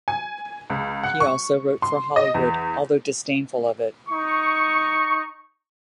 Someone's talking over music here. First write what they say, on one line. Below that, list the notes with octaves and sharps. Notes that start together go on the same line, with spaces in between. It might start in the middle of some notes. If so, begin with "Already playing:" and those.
He also wrote for Hollywood, although disdainful of it.
G#5
C#2
F#5
C#6
C6
D#5
E2
D#4 C#6